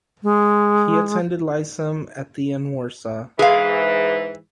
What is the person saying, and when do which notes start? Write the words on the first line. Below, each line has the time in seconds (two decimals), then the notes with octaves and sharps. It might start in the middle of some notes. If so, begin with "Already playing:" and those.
He attended lyceum at the in Warsaw.
0.23 G#3
3.39 G#2 E3 G#4 F5